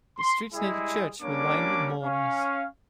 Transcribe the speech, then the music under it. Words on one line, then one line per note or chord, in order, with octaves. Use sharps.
The streets near the church were lined with mourners.
C6
G3 G#3 E4 G#4
G3 A#3 C#4 D4 C#5 D6
C#4 F5